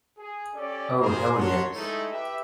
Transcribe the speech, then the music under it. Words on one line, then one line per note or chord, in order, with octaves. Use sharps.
Oh hell yes.
G#4
C#4 G4 A4 D5
F4 G#4 A#4 C5
A#4 C#5 F#5 A5 C6
G#3 A3 D#4 E4 A4
G4 B4 E5